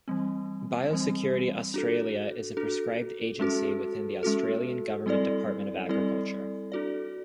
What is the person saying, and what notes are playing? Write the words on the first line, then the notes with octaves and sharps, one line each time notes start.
Biosecurity Australia is a prescribed agency within the Australian Government Department of Agriculture.
E3 G3 C4
E3 G3 C4
D4 F#4 A4
D4 F#4 A4
G#3 C#4 F#4 A4
G#3 C#4 F#4 A4
G3 C4 E4 A4 D5
G3 C4 E4 A4 D5
D4 F#4 A4 D5